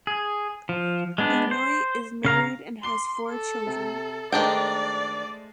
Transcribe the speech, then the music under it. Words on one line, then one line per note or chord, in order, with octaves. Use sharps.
Inouye is married and has four children.
G#4
F3
G#3 B3 D4
C5
C#3 F5 A#5
C6 D6 C7 G7
A4
C3
D#3 G#3 A3 D4 C5 D5 G5